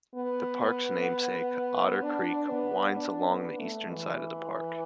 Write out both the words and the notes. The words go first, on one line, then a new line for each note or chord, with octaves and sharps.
The park's namesake, Otter Creek, winds along the eastern side of the park.
B3
D4
B3
D4
B3
A3
E3